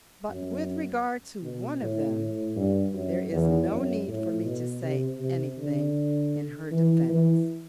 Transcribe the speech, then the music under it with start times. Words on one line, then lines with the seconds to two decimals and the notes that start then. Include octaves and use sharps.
But with regard to one of them there is no need for me to say anything in her defence.
0.29 F#2
1.42 B2
1.81 A2
2.18 A2
2.56 G2
2.93 F#2
3.32 E2
3.70 F#2
4.08 A2
4.45 B2
4.83 C3
5.20 C3
5.58 D3
6.72 E3
7.09 E3